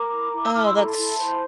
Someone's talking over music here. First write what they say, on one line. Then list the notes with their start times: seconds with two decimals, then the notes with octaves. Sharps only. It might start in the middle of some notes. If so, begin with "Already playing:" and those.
Oh, that's
Already playing: A#4 A#5 D6
0.11 E4
0.33 E4
0.44 E6
0.53 E4 D6 F6
0.64 C6 E6
0.76 A4 A#5 D6
0.86 A5 C6
0.97 E4
1.18 C5